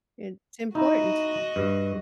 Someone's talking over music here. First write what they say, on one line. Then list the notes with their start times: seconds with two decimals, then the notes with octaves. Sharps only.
It's important
0.75 D#4 E4 F#4 D#5
1.56 G2